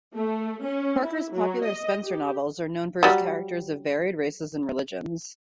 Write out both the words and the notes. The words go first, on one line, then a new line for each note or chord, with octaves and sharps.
Parker's popular Spenser novels are known for his characters of varied races and religions.
A3
C#4
E4
F#3
D#5
G4
F#3 G3